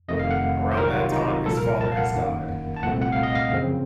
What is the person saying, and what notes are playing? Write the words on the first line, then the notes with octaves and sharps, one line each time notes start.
Around that time his father has died.
F2 C3 D#3 A3 D#5
F5
F#5
C5
C2 C3 D#3 F#3 C4 A#4
F#4
F4
D#4
C2 A#2 F3 A4
A#4
A5
F5
F#5
F#2 D#3 A#3
A5
C2 A#2 A3 C4 F#5
F#5
F5
D#5
F5
F#2 C#3 F3 C4